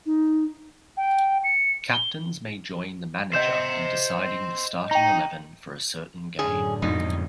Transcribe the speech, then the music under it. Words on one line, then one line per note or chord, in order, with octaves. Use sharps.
Captains may join the manager in deciding the starting eleven for a certain game.
D#4
G5
C#7
G7
C5 D#5 E5 G6 E7
D#4 G5 A#5
F#2 A2 D3 C#4 G#4
F2 G#2 B2 D#4